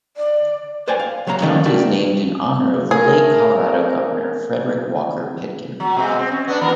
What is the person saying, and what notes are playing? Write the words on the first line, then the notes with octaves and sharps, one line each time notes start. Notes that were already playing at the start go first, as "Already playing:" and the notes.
The county is named in honor of the late Colorado Governor Frederick Walker Pitkin.
D5
B4 C5 D5 G5 G#5
F5
C2 F#3 C#5 F5 A#5
D#3 G3 A3 A#3 C#4 D#4
A3 A#3 D4 F#4 G4 E5
A3 G#4 A#4
F#3
B2 G#3 C4
C4
C#4
B3 D4
E3 B3 A#4